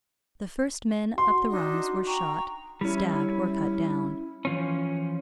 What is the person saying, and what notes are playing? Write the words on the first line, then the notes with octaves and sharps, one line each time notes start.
The first men up the rungs were shot, stabbed, or cut down.
F#4 C6
D4 D#4
G5 A#5 C#6
G3 C#4 E4
E3 F3 C#4